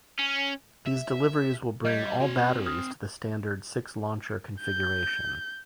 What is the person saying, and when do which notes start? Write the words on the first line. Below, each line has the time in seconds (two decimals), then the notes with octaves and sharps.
These deliveries will bring all batteries to the standard six launcher configuration.
0.19 C#4
0.86 E5
1.85 G3 D#5 G6 G#6
2.20 C4 F#4 G#5
2.66 D#6 F6
4.61 G6